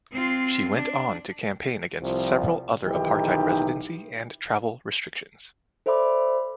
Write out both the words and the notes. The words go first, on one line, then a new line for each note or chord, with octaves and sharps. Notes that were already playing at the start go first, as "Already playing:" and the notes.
She went on to campaign against several other apartheid residency and travel restrictions.
C4 F4
D4
C2 F3
B1 D#3 E3 D#4 G4
A4 C5 D5 E5 B5 D6